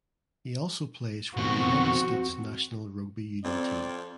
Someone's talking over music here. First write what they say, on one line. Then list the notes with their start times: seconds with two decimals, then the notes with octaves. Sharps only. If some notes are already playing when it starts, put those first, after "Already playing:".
He also plays for the United States national rugby union team.
1.37 F2 B2 D#3 C4 F#4
3.45 F2 C4 D5